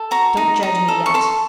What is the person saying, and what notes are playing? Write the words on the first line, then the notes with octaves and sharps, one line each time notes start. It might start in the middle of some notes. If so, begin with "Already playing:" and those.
Don't judge me yet!
Already playing: A4
F#4 A#5
D#4
D#4
A4
C#6
A4 C6